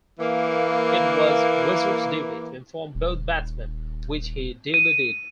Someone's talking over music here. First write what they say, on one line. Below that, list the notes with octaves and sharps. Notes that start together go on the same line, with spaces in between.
It was Weser's duty to inform both batsmen which he duly did.
E3 A#3
D#1
D#7